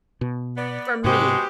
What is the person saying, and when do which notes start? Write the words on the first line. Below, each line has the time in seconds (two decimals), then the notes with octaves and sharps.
for me
0.21 B2
0.57 B3 D5
1.04 G#2 C3 G#3 B3 F#4 G4 C5